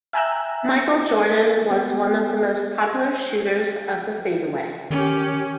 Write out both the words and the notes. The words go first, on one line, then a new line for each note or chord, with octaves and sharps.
Michael Jordan was one of the most popular shooters of the fadeaway.
E5 G5 G#5 A#5 E6 F#6
B3
D#3 C#4 G4